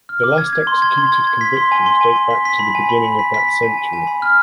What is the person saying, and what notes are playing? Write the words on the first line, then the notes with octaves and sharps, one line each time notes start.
The last executed convictions date back to the beginning of that century.
F6
D6
G#6
G#6
C6
G#6
C6
G#6
G#6
B6
C6
G#5
C6
G#5
C6
B6
B6
B5
G#5
B5
B5
B6
B6
B6
G#5
G#5
G#5
B5
F6